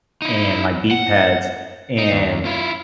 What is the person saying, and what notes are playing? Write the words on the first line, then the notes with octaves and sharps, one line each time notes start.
and my beat pads, and
D#4 E4
F#5
D#4
D#2
E4 F4